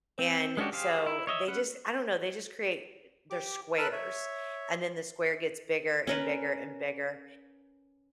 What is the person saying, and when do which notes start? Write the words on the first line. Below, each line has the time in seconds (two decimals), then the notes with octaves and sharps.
And, so, they just I don't know, they just create they're squares, and then the square gets bigger and bigger and bigger.
0.19 C4
0.57 G#3 C#4 D4 F#4 G4
0.72 G4 G#4 C5 F5
1.06 E4
1.27 C#5 D#5 E5
1.48 C#4 B4 F#5
3.30 G4 D6
3.78 A#4 B4 A5 B5 E6 F#6
3.92 C#5 E5
6.07 C#4 A#4 B4